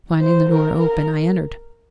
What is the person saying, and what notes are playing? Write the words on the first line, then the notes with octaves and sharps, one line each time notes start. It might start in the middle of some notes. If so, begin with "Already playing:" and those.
Finding the door open, I entered.
C5
A#4
A#4